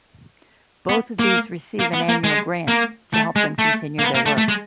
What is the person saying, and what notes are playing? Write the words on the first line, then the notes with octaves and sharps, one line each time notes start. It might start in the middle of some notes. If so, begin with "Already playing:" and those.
Both of these receive an annual grant to help them continue their work.
B3
A#3
A#3
B3
A#3
G#3
A#3
A3
G#3
A3
A#3
B3
A#3
A3
A3
G#3